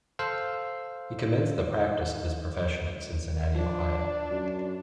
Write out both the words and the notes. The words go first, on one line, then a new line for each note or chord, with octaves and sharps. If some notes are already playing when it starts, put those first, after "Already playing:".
He commenced the practice of his profession in Cincinnati, Ohio.
A4 C5 F5
F3 D4
F#2